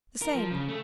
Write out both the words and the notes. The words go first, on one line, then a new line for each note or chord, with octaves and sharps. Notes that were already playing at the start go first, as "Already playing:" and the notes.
"The same."
A#4
F3
C#3
A3